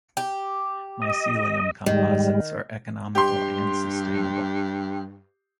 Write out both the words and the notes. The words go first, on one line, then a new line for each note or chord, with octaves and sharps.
Mycelium composites are economical and sustainable.
G4
D#5
G#2 D#3 G3
G2 G4 C6